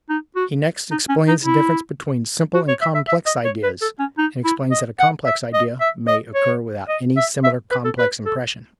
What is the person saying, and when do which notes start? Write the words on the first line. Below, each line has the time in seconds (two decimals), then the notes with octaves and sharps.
He next explains the difference between simple and complex ideas, and explains that a complex idea may occur without any similar complex impression.
0.09 D#4
0.36 F#4
0.91 D#4
1.09 C#4
1.28 D#4
1.45 E4
2.54 F#4
2.68 C#5
2.82 E5
2.94 E5
3.08 E5
3.26 D#5
3.45 C#5
3.63 B4
3.82 A4
3.99 C#4
4.18 D#4
4.44 E4
4.71 D#5
4.99 F#5
5.26 E5
5.54 D#5
5.80 E5
6.08 D#5
6.35 C#5
6.89 D#5
7.17 E5
7.44 E5
7.71 B4
7.85 A4
7.98 B4
8.26 A4